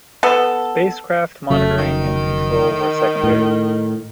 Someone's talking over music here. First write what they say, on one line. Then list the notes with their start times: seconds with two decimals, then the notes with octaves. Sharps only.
Spacecraft monitoring and control were secondary.
0.23 B3 A4
1.50 F1 C#3 F#3 A3
1.78 D#3
3.24 A2